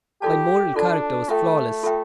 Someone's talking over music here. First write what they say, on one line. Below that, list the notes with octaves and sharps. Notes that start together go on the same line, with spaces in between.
My moral character was flawless.
F4 G4 A4 D5 A5
D4 F4 A4 D5 A5
A3 F4 A4 E5 G5
F4 A4 E5 G5